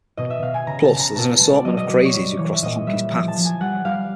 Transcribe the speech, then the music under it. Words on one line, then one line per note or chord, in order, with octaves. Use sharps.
Plus, there's an assortment of crazies who cross the Honkys' paths.
B2 D#5
E5
B2 F5
G#5
C#3 A#5
A5
C#3
A#5
B2 A5
G#3 A5
D5
F#3 D#5
D#5
F#3 D5
C#5
G3 D5
E3 C#5
E5
A#2 D#5
G3 E5
F3
A5
F3
G#5
G3 F#5
G3 F5